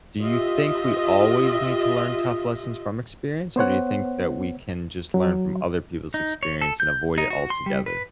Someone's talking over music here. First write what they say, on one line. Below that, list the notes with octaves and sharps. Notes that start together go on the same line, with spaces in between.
do you think we always need to learn tough lessons from experience, or do you think that we can just learn from other people's experience and avoid it altogether?
F4 G4 D#5 E5
B3 C5 C#5 F#5
F#3
D#4
C#5
A4
G6
D#4
F#4
C6
G3
B4